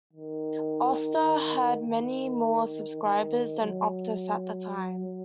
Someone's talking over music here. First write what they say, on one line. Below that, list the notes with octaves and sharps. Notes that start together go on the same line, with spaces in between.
Austar had many more subscribers than Optus at the time.
D#3
D#3
D#3
F#3